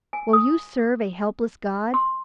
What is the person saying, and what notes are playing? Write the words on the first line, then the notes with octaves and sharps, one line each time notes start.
Will you serve a helpless god?
G#5
D#6
C6